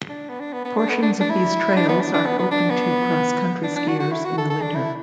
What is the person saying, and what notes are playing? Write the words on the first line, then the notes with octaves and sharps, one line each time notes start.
Portions of these trails are open to cross-country skiers in the winter.
D4
B3
D4
B3
B3
D4
B3
D4
D4
E4
D4
B3
D4
D4
B3
B3
D4
B3
D4
D4
F#4
F#4
E4
F#4
A4
A4
D4
E4